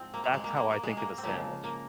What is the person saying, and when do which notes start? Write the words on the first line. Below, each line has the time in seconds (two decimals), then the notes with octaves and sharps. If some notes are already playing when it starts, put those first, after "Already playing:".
That's how I think of a sandwich.
Already playing: G#2 F3 G#3 C4
0.14 A#3
0.24 A#3
0.34 G#3
0.44 A#3
0.57 A#3
0.71 A#3
0.83 G#3
0.97 A#3
1.18 C4
1.23 C#3 F3 G#3 A#3
1.64 A#3